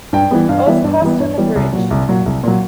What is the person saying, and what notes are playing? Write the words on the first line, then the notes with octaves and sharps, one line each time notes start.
It was crossed with a bridge.
G2 G5
E3 G3 B3
G2 F5
E3 G3 B3 E5
G2 D5
E3 G3 B3
G2 C#5
E3 G3 B3
C2
A#2 F#3
C2
A#2 F#3
C2
A#2 F#3